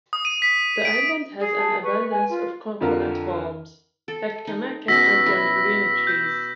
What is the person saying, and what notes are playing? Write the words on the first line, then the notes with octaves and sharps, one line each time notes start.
The island has an abundance of coconut palms, "Takamaka" and "Casuarina" trees.
D#6
D#7
B6
D7
G#4
A5
B4 C#6
G#5
F4
F2 D3 F4 A#4
A4
D#4
B2 C#4 E6 A#6 B6
E4
G6